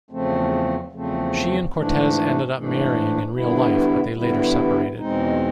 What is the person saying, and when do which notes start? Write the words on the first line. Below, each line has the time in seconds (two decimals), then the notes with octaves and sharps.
She and Cortez ended up marrying in real life, but they later separated.
0.11 E2 C#3 F3 A3 C4
0.92 E2 C#3 F3 A3 C4
1.72 G#2 E3 A3 D4
2.54 G#2 E3 A3 D4
3.35 G2 D3 G3 B3 E4
4.17 G2 D3 G3 B3 E4
4.97 E2 B2 G#3 C4 D#4